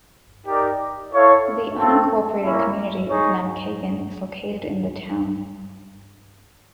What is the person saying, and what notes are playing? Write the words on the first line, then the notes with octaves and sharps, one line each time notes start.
The unincorporated community of Namekagon is located in the town.
D#4 G4 A#4 D5
E4 A4 C#5 F5
A3 C4 F4 A4
A#3 C#4 E4
D#4 G#4 C#5